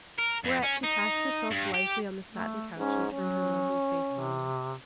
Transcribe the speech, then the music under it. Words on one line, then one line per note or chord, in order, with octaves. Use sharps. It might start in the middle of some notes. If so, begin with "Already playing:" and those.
Whereat she cast herself lithely on the satin couch and turned her lovely face on me.
A#4
F2
C#4
D#4
G2
G4
A3
G#2 C#4
F#3 C#4
C3